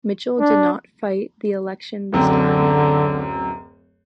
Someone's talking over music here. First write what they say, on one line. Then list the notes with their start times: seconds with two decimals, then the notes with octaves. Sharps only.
Mitchell did not fight the election this time.
0.40 D4
2.13 D1 F#2 D3 C4